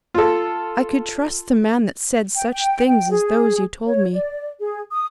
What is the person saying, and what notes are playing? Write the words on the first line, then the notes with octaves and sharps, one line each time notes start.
I could trust the man that said such things as those you told me.
F4 A4
G5
G5
G5
G#4
C#5
D5
G#4
D#6